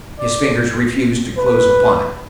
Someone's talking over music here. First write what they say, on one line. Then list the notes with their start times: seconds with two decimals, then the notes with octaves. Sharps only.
His fingers refused to close upon it.
0.19 D5
1.37 B4